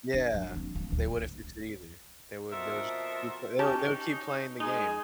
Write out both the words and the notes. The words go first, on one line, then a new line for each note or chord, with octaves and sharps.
Yeah, they wouldn't fix it either. They would they would just keep they would they would keep playing the game,
D4
F#3
A#3 C4
A#3
D1 D2
F2 B2 A4 A#4 C5 E5
C#4 D#4 G4 A5
G#3 D#4 G#4